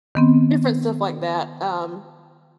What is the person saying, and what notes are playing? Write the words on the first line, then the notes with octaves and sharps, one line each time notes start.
different stuff like that, um
D#3 B3 C4